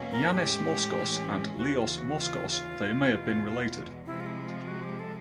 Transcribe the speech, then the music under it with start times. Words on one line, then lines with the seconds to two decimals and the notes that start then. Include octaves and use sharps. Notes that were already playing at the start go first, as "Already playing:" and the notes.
Ioannis Moskos and Leos Moskos they may have been related.
Already playing: E2 B2 F#3 A#3 C#4
0.12 A#4
0.32 A2 E3 G#3 C#4 G4
1.57 D#2 C#3 E3 F#4
1.78 F4
1.98 F#4
2.19 F4
2.50 F4
2.81 E2 B2 G#3
4.06 C3 F3 G#3 E4
4.20 F4
4.26 E4
4.47 F4
4.68 F#4
4.84 G4
4.99 A4